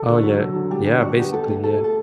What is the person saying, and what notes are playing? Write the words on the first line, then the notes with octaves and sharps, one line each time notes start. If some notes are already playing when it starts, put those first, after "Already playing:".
Oh, yeah Yeah. Basically, yeah.
Already playing: A4
D3 F#4
F#3
F#3
D3
G3 D4
G3 D4
D4 F#4
B3 G4
A3 A4
A3
A3 A4
A3
A4